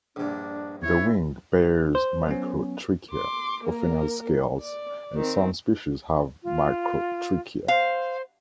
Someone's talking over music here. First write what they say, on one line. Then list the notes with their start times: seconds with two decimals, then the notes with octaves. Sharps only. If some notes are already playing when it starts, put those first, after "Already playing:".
The wing bears microtrichia, often as scales, and some species have macrotrichia.
0.16 A#1 G2 D4
0.83 E4 C#5
1.95 C5
2.27 F#3 B3 C#4
3.11 C6 D6
3.64 A#3 A#4
4.61 D5
5.16 D#3 C4
6.43 F4
7.68 C5 F5